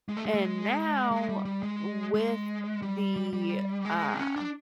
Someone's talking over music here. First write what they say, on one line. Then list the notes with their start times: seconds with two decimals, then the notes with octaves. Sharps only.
and now with the, uh,
0.09 G#3
0.17 A3
0.26 G#3
0.34 A3
0.43 G#3
1.11 G#3
1.29 G3
1.45 G3
1.63 G#3
2.14 G#3
2.82 G3
3.16 G3
3.33 G3
3.85 G#3
4.14 C4
4.19 C#4
4.36 D4